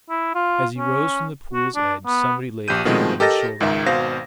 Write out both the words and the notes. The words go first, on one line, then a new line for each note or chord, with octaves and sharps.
As he rose from the pool's edge, somebody laid a hand on his shoulder.
E4
F4
C#4
F#4
D4
B3
A#1 G4 G6 D#7
B2 D#3 F3 G#3 A3 C4
G4 A4 A#4 D#5 A6 A#6
C#2 G#2 D#3 E5
G#1 B2 C5 F5 A#6